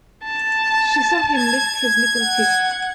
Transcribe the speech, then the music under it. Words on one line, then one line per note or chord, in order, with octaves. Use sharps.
She saw him lift his little fist.
A5
G#6
F#5